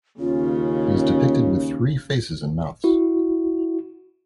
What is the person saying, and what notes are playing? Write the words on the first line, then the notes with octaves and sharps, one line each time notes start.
He is depicted with three faces and mouths.
D#2 C#3 C#4 F4
E4 F#4